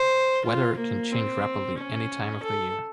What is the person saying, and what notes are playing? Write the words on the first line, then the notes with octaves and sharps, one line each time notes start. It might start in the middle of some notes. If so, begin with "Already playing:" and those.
Weather can change rapidly any time of the year.
Already playing: C5
F4
A#3
C4
C#4
A4